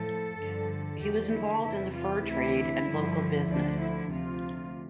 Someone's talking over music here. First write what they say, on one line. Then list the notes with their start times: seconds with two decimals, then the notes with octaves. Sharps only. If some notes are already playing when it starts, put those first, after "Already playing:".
He was involved in the fur trade and local business.
Already playing: A2 F3 A4
0.39 G2 D3 F3
1.01 E2 D3 F3 G4
1.32 E4
1.63 E2 C3 E3 E4
1.94 F4
2.25 D2 C3 E3 E4
2.87 G2 D3 F3
3.49 D2 D3 F3 D4
3.80 E4
4.11 D2 C3 F3 F4